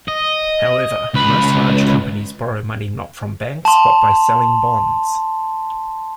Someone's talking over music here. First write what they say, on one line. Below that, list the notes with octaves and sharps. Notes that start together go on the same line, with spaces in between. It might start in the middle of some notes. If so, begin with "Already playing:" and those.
However most large companies borrow money not from banks, but by selling bonds.
D#5
C#2 B4
A5 C6